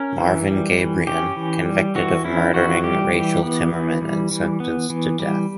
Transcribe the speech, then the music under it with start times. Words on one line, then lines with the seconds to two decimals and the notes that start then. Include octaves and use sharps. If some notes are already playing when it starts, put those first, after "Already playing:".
Marvin Gabrion - Convicted of murdering Rachel Timmerman and sentenced to death.
Already playing: C#4 A#4
0.19 E3
0.48 G3
0.78 E3
1.07 C#4 G4
1.37 E3
1.66 G3
1.95 E3 F#4
2.24 C#4 E4
2.54 E3 F#4
2.84 G3 G4
3.13 E3
3.43 B3
3.73 E3
4.02 G3
4.31 E3
4.60 B3
4.90 E3
5.20 G3